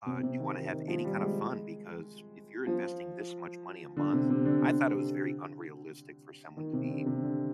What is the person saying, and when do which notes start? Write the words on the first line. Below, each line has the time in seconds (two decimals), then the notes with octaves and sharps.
Uh, do you wanna have any kind of fun? Because if you're investing this much money a month I thought it was very unrealistic for someone to be
0.06 C3
0.23 C3
0.40 D#3
0.56 D#3
0.71 D#3
0.88 F3
1.04 G3
1.20 G#3
2.67 F3
3.97 D3
4.13 C3
4.30 C3
4.45 D3
4.62 C3
4.94 D3
6.57 D#3
6.73 C3
6.90 D3
7.06 C3
7.22 D3